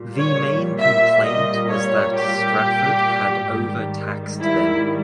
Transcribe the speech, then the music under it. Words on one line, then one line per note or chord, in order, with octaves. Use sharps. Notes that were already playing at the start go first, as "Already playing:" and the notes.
The main complaint was that Strafford had overtaxed them.
Already playing: A#2 G3
C#5
E5
D#5
C#5
G4
G#2 D#3 G3
E4